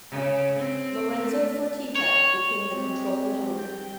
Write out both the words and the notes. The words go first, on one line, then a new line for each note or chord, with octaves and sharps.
Lorenzo Fertitta became the controlling owner.
C#3
C4
A3
C#5
G#3 C4 G4
G3 G5